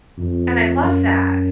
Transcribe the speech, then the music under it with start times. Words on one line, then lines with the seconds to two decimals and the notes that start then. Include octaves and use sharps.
And I love that.
0.18 F2
0.83 F#2